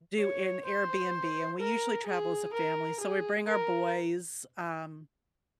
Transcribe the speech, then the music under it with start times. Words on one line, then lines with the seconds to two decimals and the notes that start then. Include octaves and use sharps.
do an Airbnb, and we usually travel as a family, so we bring our boys, um,
0.19 C#5
0.66 C5
1.60 A#4
2.06 G#4
2.53 A#4
3.00 G#4
3.47 A#4